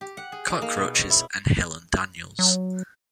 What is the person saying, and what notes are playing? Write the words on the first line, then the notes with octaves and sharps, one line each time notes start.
Cockroaches and Helen Daniels.
G4
F#5
G#4
D#4
A#3
B2
C#5
E4
F#3